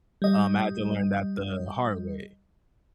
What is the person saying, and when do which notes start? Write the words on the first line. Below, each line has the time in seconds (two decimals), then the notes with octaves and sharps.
um, I had to learn that the hard way.
0.22 G3 D#5